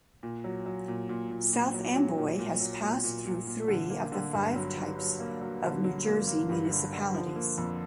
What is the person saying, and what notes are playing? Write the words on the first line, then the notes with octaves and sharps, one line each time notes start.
South Amboy has passed through three of the five types of New Jersey municipalities.
A#2
F#3
F#3
A#2
A#2
A#2
A#2
F#3
F#3
A#2
A#2
F#3
A#2
A#2
A#2
A#2
D3
A#3
D3
G2
F#3
F#3
F#3
A#3
F#3
D3
F#3
A#3
A#3
G2
D3
D3
F3
A#3
F2